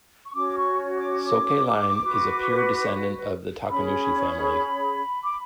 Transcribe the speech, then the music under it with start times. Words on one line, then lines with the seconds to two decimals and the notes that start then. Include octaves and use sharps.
Soke line is a pure descendant of the Takenouchi family.
0.25 C#6
0.34 C#4 F#4 C#5 D6
0.55 C#6
0.97 D6
2.01 F#4 B4
3.68 C#4 G#4 C#5 B5
5.23 D6